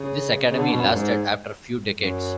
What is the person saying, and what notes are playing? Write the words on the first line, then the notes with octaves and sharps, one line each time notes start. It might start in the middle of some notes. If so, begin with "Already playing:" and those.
This academy lasted after few decades.
Already playing: C#3
C#3
D3
B2
F#2
G#2
F#2